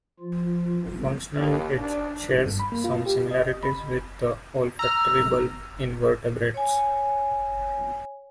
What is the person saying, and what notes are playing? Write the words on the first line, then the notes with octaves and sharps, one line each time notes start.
Functionally, it shares some similarities with the olfactory bulb in vertebrates.
F3 F4
D#2
D4
G2
B5
A#3
F4
G4
D#5
B5
A#5 E6 F6
C#5 G#5